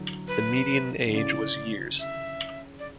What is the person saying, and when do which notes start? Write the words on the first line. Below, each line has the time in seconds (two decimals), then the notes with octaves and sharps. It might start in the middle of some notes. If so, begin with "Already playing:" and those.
The median age was years.
Already playing: D3 E3 F#3
0.28 B4
1.06 D3
1.13 C#3 E3 D5
2.00 E5
2.79 D5